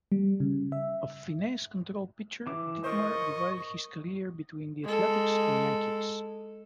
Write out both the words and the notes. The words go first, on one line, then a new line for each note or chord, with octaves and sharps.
A finesse control pitcher, Ditmar divided his career between the Athletics and Yankees.
G3
C#3
E5
E3 D6
F4 A#4 C5 D#5 C#6
G#3 A4